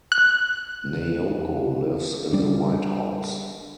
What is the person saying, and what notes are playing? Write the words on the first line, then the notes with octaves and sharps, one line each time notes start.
Naoko lives in the white house.
F#6
G3 D4